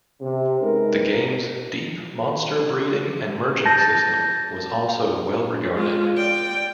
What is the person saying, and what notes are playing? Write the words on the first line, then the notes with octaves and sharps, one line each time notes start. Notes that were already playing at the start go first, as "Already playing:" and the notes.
The game's deep monster breeding and merging system was also well regarded.
C3
G#3 C#4 D#4 A#4 B4
A5 G6 A6 A#6
G#3 F4
D5 G5